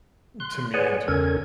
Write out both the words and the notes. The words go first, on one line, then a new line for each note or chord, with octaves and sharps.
to me in terms of
C6 F#6
G#4 B4 C#5 D5 F#5 G#5
E2 C#3 C#4 A4 A#4 G#6